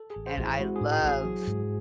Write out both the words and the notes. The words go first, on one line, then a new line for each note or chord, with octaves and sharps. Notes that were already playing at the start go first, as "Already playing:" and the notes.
and I love
Already playing: A4
G#4
A1
C5
A1
E4
G#3 F#4
G#4
A2
G#4
A1
G#4
F#3
G#2